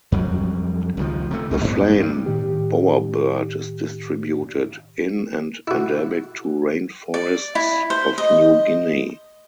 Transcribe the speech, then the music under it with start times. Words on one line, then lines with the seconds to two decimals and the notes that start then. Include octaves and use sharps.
The flame bowerbird is distributed in and endemic to rainforests of New Guinea.
0.12 F2 F#3 G3
0.97 C#2 D#3 F3
1.31 C3 A3
1.51 C#2 C#3 G3
1.64 G2 B3
1.99 G2
2.26 A2 D#3 G4
5.68 E4 F#4
7.14 D5
7.55 E4
7.90 C5
8.18 D#5